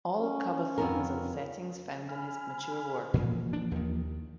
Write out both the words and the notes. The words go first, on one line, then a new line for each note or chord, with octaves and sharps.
All cover themes and settings found in his mature work.
C#4
F2 B3 A#4
G#5 B5 F6
A#2 E3 F3 A#3
D4
D#2 D#3